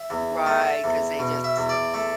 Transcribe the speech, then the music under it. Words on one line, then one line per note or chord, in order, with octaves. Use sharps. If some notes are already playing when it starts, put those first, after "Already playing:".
Right, 'cause they just
Already playing: E5
E2
A3
E2
B2
E5
E2
D5
A3